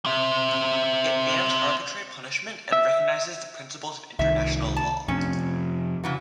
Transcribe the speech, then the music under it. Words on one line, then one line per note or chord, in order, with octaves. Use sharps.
It bans arbitrary punishment and recognises the principles of international law.
C4 E5
E5
C2 D#3 E5
A5
F2 C3 C#4
C#3 E3 F#3